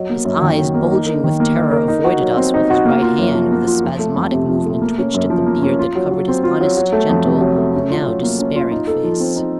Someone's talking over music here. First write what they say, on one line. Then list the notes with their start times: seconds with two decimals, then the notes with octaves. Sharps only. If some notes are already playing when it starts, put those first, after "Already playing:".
His eyes, bulging with terror, avoided us, while his right hand, with a spasmodic movement, twitched at the beard that covered his honest, gentle, and now despairing face.
Already playing: F#3 D#5
0.10 A#3
0.25 F#2
0.42 D#3
0.58 F#3
0.74 A#3
0.91 D#4
1.06 A#4
1.24 D#3
1.40 A#3
1.56 D#4
1.71 A#4
1.88 D#4
2.04 F#4
2.20 F#3
2.37 C4
2.54 D#4
2.70 F#4
2.85 A#3
3.02 F4
3.18 F#2
3.35 F3
3.52 A#3
3.67 F4
3.84 F3
3.99 A3
4.16 F2
4.32 C3
4.49 F3
4.65 A3
4.82 A#3
4.98 C#4
5.14 F#2
5.30 F3
5.46 A#3
5.62 C#4
5.79 F4
5.95 F#3
6.11 F#3
6.28 C4
6.44 F4
6.61 F#3
6.77 F#3
6.92 A3
7.09 F2
7.25 C3
7.41 F#3
7.57 A3
7.75 C#4
7.91 F4
8.06 F#3
8.23 A#3
8.39 C#4
8.56 F4
8.71 D#4
8.87 A4
9.04 F3
9.20 C4
9.36 D#4